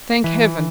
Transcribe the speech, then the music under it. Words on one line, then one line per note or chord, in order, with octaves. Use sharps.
Thank Heaven!
E3